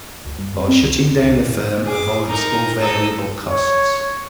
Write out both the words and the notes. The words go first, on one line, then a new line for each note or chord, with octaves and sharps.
By shutting down a firm avoids all variable costs.
D2
G2
F2
C4
C2
D2
E1
C2
C#3
A2
G#4 D6
D#4 A#4
D#4 A4
C#5